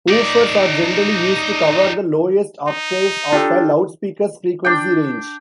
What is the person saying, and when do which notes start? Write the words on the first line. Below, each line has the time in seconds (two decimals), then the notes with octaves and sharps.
Woofers are generally used to cover the lowest octaves of a loudspeaker's frequency range.
0.08 D#4 D5
2.68 D#4
3.32 D4 F4 G4 A4
4.65 D4 G5